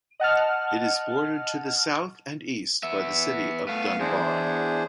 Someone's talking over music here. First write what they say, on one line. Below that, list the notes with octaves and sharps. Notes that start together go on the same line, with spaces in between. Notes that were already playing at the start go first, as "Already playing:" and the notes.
It is bordered to the south and east by the city of Dunbar.
D#5 F#5 A5 F6
B3 E5
A3 B3 F5
E2 D4 G#4 C5